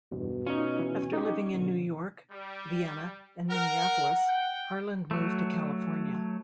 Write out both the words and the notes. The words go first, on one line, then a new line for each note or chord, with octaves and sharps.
After living in New York, Vienna, and Minneapolis, Harland moved to California.
E2 G2 B2
C#4 D#4 F4
E3
D#4 G4
B2 D3
G3
A#4 F#5
G5
F#3 A3